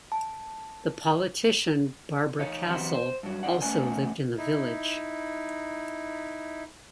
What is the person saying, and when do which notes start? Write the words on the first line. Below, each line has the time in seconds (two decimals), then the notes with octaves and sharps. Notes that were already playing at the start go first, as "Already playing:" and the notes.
The politician Barbara Castle also lived in the village.
0.12 A5
2.39 D#4 C#5 F5
2.67 E3 F#3 B3 C4 G4 C5
2.94 C5
3.23 G2 F#3
3.43 F2 D#4 D5 F#5
3.62 A3 B3 C#4 B4 D5 G#5
4.38 D#4 E4